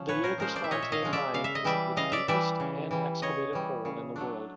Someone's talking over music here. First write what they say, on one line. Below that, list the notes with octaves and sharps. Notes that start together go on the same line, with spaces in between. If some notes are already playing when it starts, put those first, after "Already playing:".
The Jagersfontein Mine is the deepest hand-excavated hole in the world.
Already playing: F3 C#4
A#2 B4 C#5
A#4 C5
F3 G#3 C#4 A#4 C5
C5 D5
E5
A#2 C#5 D#5
E5
D#5 F5
F3 G#3 C#4
D5 E5
C#3 F5
E5
D#5
E3 G3 D5 E5
C#3 D#5 F5
D5 E5
E3 G3 D5 E5
C#3
E3 G3
C#3 C#5 D#5
E3 G3
C#3
F#3 A3 D4